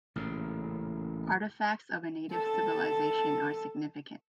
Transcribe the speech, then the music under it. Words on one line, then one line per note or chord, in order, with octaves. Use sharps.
Artifacts of native civilization are significant.
A1 A#2 C#3
A4 A5